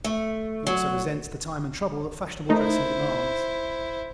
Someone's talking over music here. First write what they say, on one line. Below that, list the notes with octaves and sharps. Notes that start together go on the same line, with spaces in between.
He also resents the time and trouble that fashionable dressing demands.
A3
F#3
A3 D#4 E4 A#4 C5